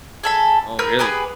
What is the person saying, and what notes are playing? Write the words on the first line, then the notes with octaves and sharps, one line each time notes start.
Oh, really?
G#4 A4 B5
A#4 B4 E6 G6
B3 G4 G#4 B4